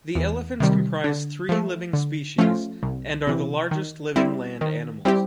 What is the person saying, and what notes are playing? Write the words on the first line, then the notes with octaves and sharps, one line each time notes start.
The elephants comprise three living species and are the largest living land animals.
E2
C3 D#3 G3
D3
F3 A3
D3
F3 A3 C#4 F4
C2
C3 E3
D#3
G3 C4 E4
D#3
G3 C4 E4 G4